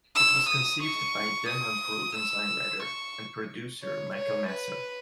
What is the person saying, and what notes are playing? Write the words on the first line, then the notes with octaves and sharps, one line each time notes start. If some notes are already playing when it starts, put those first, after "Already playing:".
It was conceived by then-unproven songwriter and producer Michael Masser.
E6
D#6
C#6
D#6
E6
C#6
C#5
C#5
B4